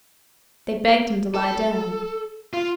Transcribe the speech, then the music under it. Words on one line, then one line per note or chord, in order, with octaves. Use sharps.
They begged him to lie down.
A4
F4